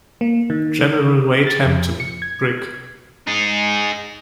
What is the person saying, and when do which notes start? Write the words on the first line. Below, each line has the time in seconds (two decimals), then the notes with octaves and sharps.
General Wade Hampton, Brig.
0.21 A#3
0.50 D#3
1.47 A6
1.65 F2
2.00 C#7
2.22 G#6
3.27 D#4 G#4